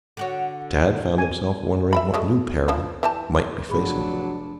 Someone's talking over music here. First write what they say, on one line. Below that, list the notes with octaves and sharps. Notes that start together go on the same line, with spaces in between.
Tad found himself wondering what new peril might be facing them.
D3 F#4 C#5
G#5
E5 G5 B5
F#3 G#3 A3
F3 D4 E4
E3 G4 A5
F1 F#3 D4 G#4 B5